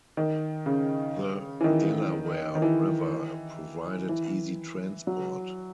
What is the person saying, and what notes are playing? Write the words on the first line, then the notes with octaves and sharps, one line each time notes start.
The Delaware River provided easy transport.
D#3
C#3
E3
D#3
D#3
E3
E3
F#3